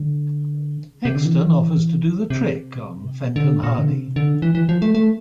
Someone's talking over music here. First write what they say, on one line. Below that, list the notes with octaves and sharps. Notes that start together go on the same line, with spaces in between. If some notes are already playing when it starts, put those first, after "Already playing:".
Hexton offers to do the trick on Fenton Hardy.
Already playing: D3
C3
D3
E3
C3
D3
A#2
D3
C3
D3
E3
E3
F3
A3
A3